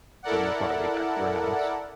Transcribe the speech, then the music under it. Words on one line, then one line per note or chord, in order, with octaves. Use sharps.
from the party back to her house,
E4 A4 A#4 D5 F#5